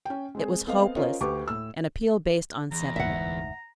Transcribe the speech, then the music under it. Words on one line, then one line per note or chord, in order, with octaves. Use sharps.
It was hopeless--an appeal based on sentiment.
C#4 G5
G#3 C4 G#4
B3 C4 A4 D#5 F5
C#4 F4 A#4 C5 C#5 D#5
D2 G4 B4 C#6 D6
A2 E6
E2 A#5
F1 D2 G#2 E5 F#5